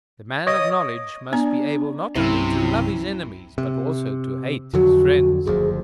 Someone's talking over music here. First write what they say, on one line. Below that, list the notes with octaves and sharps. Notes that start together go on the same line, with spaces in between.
The man of knowledge must be able not only to love his enemies, but also to hate his friends.
C#5 D#5 D#6
B3 D4 A#5
C2 G2 C3 F#3 C#4 E4
C3
F2 D3 F#3 F#4
F#1 D2 F3 G#4